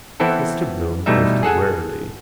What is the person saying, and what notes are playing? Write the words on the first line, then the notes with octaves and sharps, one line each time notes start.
Mr Bloom coasted warily.
E3 B3 C4 E4 A4
B2 E3 G3 A3 D#4 E5
G#4 A4 F#5 G#5